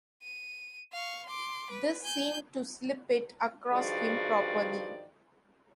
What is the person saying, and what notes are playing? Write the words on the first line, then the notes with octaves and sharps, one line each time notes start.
This seemed to slip it across him properly.
D#7
F5 C#6
C6 D6
B4
G#5 G6
G2 D#3 F3 F#4 G#4 D5